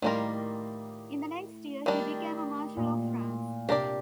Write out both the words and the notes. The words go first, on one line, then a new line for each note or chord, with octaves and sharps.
In the next year he became a marshal of France.
A2 D#3 G3 A#3 F4 A#4
D#3 G3 D4
A#2
C3 D4 G4 A#4 D5